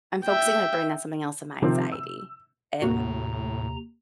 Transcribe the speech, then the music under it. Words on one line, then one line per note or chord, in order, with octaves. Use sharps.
I'm focusing my brain on something else than my anxiety, and
E5 G5
C3 D#3 F3 C4
E6
D#2 A2 C3 A#3 F#4 A#5